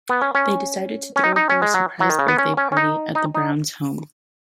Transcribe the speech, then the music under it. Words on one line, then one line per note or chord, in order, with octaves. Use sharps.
They decide to throw her a surprise birthday party at the Browns' home.
B3
C#4
C#4
C#4
D#4
D#4
C#4
G#3
F#3
F#3
D#3
C#3
B3
C#4
C#4
C#4
D#4
D#4
D#4